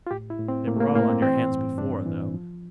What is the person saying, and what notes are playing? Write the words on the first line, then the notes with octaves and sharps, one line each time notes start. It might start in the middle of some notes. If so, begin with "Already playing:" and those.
They were all on your hands before, though....
F4
A2 G4
E4
A2
C4
A2 A#3
A3
A#3
A2 A#3
C4
E3 C4
G2
G2 D4
E3
F3